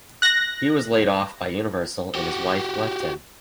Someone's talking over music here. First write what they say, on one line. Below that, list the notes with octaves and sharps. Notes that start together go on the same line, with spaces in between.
He was laid off by Universal and his wife left him.
F#6 A#6
F#4 G4